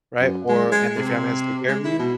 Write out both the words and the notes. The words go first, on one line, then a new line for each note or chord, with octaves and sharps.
Right? Or and their family has to take care of you
F#2
G#3
G#3
C3
G#3
E4
B2